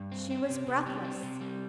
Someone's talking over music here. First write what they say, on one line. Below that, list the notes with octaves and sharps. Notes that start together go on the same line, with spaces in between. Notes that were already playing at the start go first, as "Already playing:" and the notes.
She was breathless.
Already playing: G2
C4
C4
C3
C3
G3
C4
C3
G3